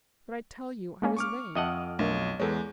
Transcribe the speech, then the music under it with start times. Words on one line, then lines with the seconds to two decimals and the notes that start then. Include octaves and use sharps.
"But I tell you I was lame."
1.02 G#3 A#3 C#4
1.17 C#6 D6 F6
1.55 F2 D#5 E5 F#5 A5
1.99 B1 A3 D4 A#4 A5
2.40 E2 G#3 A4 B4 C#5